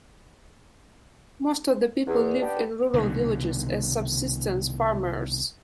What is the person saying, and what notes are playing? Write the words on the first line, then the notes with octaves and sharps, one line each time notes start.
Most of the people live in rural villages as subsistence farmers.
E2
B3 D4 G4
C2 B2 D3 D#3